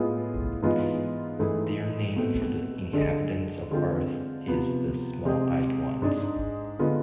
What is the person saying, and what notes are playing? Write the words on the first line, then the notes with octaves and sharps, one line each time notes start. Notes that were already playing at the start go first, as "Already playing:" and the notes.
Their name for the inhabitants of Earth is "the small-eyed ones".
Already playing: A2 G#3 B3 F4 G#4
G#2 E3 G#3 B3 F4
G#2 E3 A3 E4 G#4
B2 A3 C4
D3 G#3 D4 A4
D3 G#3 C4 F4
C3 F3 B3
C3 G#3 C4 G#4
G#2 G#3 D4 G#4
D3 G#3 B3 F4